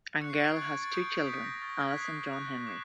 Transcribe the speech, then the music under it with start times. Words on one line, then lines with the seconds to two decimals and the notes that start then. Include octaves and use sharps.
Angell has two children, Alice and John Henry.
0.21 C#6 F#6 C#7
0.30 C7
0.39 D7
0.48 G#6
0.56 C#6 F#6 A6
0.64 G#6
0.82 A6
0.91 D#6 G6 D7
1.09 C#7
1.26 D#6 G6 B6
1.44 A#6
1.62 C#6 F6 A6
1.70 A#6
1.80 G#6
1.88 B6
1.97 D#6 F#6 C7
2.31 C#6 F#6
2.67 D6 F#6